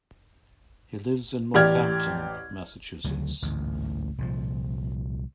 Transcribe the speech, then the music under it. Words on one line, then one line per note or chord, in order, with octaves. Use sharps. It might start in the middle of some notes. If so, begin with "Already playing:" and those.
He lives in Northampton, Massachusetts.
A1 G4 D5 F6 G#6
D2 C#3 F3 F#3
A1 D2 G#2
C2 A#2 F3